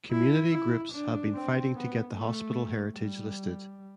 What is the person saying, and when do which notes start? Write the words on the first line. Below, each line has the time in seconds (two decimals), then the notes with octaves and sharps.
Community groups have been fighting to get the hospital heritage listed.
0.11 E4
0.52 E4
0.92 D4
1.34 C4
1.75 B3
2.16 A3
2.97 G3